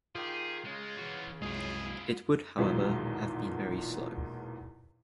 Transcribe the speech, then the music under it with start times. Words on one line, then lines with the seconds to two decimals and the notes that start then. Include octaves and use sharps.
It would, however, have been very slow.
0.15 D#3 F4 G4 G#4
0.65 C#3 G#3 F4
0.98 E3 F#4
1.42 C2 F#2 G#3 E4 F4 G#4
2.58 B1 E2 A#2 D#3 F#3 G#3